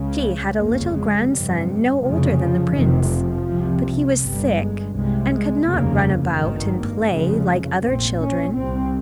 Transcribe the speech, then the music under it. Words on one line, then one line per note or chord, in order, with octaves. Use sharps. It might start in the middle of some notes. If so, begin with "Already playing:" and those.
She had a little grandson no older than the prince, but he was sick and could not run about and play like other children.
Already playing: C#2 C#3
G1 F2 C#3 A#3
G#3
G1 F2 C3 G3
F1 F2 C#3 F3
F3
F1 F2 C3 D#3
F3
C2 C3
G1 G2 G3
G#3
C2 C3 G#3
G#3
F1 D#2 C#3 A#3
G#1 G2 D#3
A#3
F1 F2 C#3 G#3
A#1 A#2 C4
C#4
C2 C3 C4